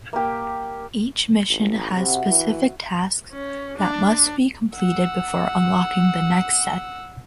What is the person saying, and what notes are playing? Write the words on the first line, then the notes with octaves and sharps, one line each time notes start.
Each mission has specific tasks that must be completed before unlocking the next set.
A#3 G4
A1
C3 E4 F#4
E3
C#4
D4
F#5 E6